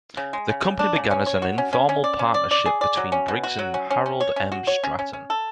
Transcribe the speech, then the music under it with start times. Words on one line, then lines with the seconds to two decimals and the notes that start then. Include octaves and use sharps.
The company began as informal partnership between Briggs and Harold M. Stratton.
0.17 C#3
0.33 G#3
0.49 C#3
0.64 C#3
0.79 D4
0.96 C#3
1.11 C#4
1.26 C#5
1.42 F#4
1.58 C#4
1.73 C#4
1.89 C#4
2.04 D5
2.19 C#4
2.34 D5
2.51 D5
2.66 G#4
2.81 D5
2.97 F#3
3.12 C#4
3.28 B2
3.43 F#4
3.59 F#3
3.74 C#4
3.90 C#4
4.06 C#4
4.20 C#5
4.36 C#4
4.52 F#4
4.67 C#5
4.84 C#4
4.99 C#4
5.13 C#4
5.30 A4